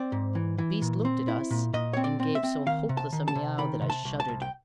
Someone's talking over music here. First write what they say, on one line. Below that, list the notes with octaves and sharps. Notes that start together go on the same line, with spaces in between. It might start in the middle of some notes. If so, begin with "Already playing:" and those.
The beast looked at us and gave so hopeless a miau that I shuddered.
Already playing: C4 D5
G#2
E3
E3
A#2
C4
E4
A#2
A#2 D#5
C4 C#5
D5
C4
E5
C4
D#3 F5
C3
A5
D#3
A5
C3
D#3 B5
C3
A5
C2
A5
C2
G5